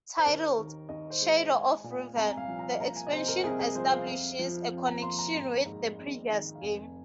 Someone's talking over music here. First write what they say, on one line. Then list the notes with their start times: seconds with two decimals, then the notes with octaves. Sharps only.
Titled "Shadow of Revan", the expansion establishes a connection with the previous game.
0.18 C5
0.25 D#2 A#4
0.58 D#3
0.89 D#2 D#5
1.10 C5
1.22 G#3
1.32 D#5
1.53 G#3 G#5
1.84 A#2
2.16 C2 A#5
2.30 G#5
2.37 F5
2.48 F3
2.59 A#5
2.79 A#3 A#5
2.96 G#5
3.07 D#5
3.12 C3 C5
3.28 A#4
3.43 C2 G#4
3.60 G#4
3.75 F3 C5
3.92 F5
4.08 F2
4.39 F3
4.71 F2
4.87 A#5
5.02 A#3 C6
5.19 A#5
5.34 G#1
5.66 G#2
5.99 G#1
6.30 D#3
6.55 F5
6.61 F1 G#5